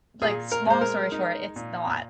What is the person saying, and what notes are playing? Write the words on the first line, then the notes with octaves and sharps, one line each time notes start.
like s long story short, it's not
A#2 G#4
A#4
G#3 C5
A#4
D#4
A#2